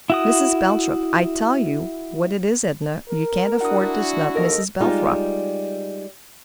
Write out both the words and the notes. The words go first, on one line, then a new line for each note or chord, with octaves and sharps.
'Mrs. Belthrop.' I tell you what it is, Edna; you can't afford to snub Mrs. Belthrop.
E4 F#4 D#6
A#4
D4 E4 F#4 F#5 D#6
D#2 A4 A#4 D#5
G3 G#3 D#4 F4